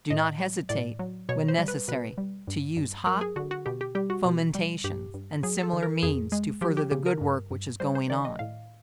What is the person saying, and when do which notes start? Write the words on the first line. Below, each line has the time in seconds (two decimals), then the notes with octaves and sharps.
Do not hesitate, when necessary, to use hot fomentations and similar means to further the good work which is going on.
0.10 A2 D#5
0.40 F#3
0.69 A2 D5
0.99 F#3
1.29 B2 C#5
1.48 C5
1.58 G3
1.68 B4
1.88 B2 B4
2.18 G3
2.48 G2
2.77 G2
3.07 F#3 A#4
3.21 G#4
3.36 D3 F#4
3.51 F#4
3.66 B2 G4
3.81 G4
3.95 G3 G4
4.10 F#4
4.25 B2
4.55 G3
4.84 G2 G4
5.14 G2
5.43 F#3 G#4
5.63 A4
5.73 D#3
5.83 A#4
6.03 F2 G#4
6.32 G#3
6.61 F3 G4
6.77 G4
6.91 C#3 G4
7.06 A#4
7.21 G2
7.51 G2
7.80 G3 C5
7.95 C5
8.10 D#3 D5
8.25 D#5
8.39 A2 F5